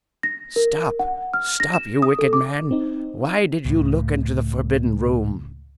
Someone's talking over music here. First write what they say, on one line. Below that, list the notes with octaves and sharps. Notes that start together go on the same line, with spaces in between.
"Stop! stop, you wicked man, why did you look into the forbidden room?"
A#6
A#4
F#5
F6
A#6
E7
D#6
A4
D6
C4 D#4
C#2 A2